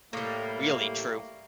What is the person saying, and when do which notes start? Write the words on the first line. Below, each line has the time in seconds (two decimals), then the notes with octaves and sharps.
Really true.
0.13 A2 G3 A#3